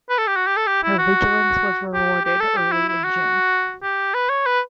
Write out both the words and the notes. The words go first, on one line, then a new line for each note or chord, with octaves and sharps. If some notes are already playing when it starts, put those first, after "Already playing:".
Her vigilance was rewarded early in June.
B4
A4
G4
F#4
G4
A4
G4
E4
F#4
G4
G4
A4
G4
E4
E4
F#4
G4
B4
C#5
B4